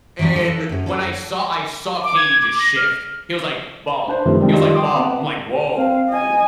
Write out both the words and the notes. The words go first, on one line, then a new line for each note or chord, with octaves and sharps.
And when I saw I saw KD just shift. He was like, "Ball." He was like, "Ball." I'm like, "Woah."
E3 F#3 A#3 C4 D4
A4 B4 F5
F#2 C#4
A#3 C#4 A4
D6
G#6
D6
A#6
F6
D4 B4 C5
F#2 C3 D#3 F3 A3
D#3 G3 G#3 C4 D4
D#3 G3 F4 D#5
G5 C6 D6 D#6
B3 C4
C4 F5
D#5 G#5